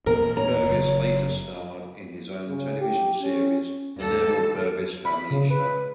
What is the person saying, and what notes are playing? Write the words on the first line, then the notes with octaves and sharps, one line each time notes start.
Purvis later starred in his own television series, The Neville Purvis Family Show.
E2 A#2 B3 A#4
C#5 A#5
F#1
C#3
G4
C#4
D#2 A4
B5
C#3
B4